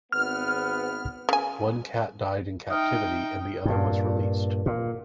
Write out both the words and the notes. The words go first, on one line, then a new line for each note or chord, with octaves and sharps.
One cat died in captivity, and the other was released.
G#1 B3 F6
C#3 G#5
D#4 E5 G5 D#6 F6
G2 A#2
A#2